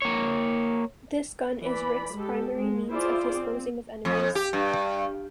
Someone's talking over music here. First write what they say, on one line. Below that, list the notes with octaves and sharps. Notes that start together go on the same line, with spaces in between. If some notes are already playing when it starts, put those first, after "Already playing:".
This gun is Rick's primary means of disposing of enemies.
A#3 C#5
E3 D5 B5
G#3 G4 A4
G#3
E4 F4 G#4 C5 D5
C4
F2
G4
G2